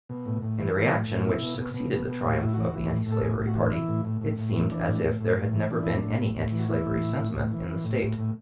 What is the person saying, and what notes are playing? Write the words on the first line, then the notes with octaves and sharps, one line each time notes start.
In the reaction which succeeded the triumph of the antislavery party, it seemed as if there had never been any antislavery sentiment in the State.
B2
A2
A2
E3
E3
A2
A2
F#4
B2 E4
B2
B2
B2
B2
B2
A2 G#4
F#4
A2 E4
E3 F#4
E3
A2
A2
A4
A2 G#4
A2
F#4
E3 D4
E3 E4
A2
A2
A2
A2
E3
E3 D4
A2
A2
A2
A2
E3
E3 D4
A2 E4
D4
A2
A2
A2
E3
F#4
E3 E4
A2
A2
A2
A2
E3
E3
A2
A2
A2